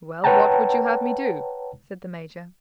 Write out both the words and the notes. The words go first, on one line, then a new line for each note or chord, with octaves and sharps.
"Well, what would you have me do?" said the major.
B4 C#5 F#5 G5 A5 A#5